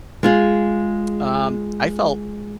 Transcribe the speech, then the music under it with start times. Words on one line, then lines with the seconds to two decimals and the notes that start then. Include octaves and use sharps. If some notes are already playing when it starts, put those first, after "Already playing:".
Um, I felt
0.23 G#3 F4 G#4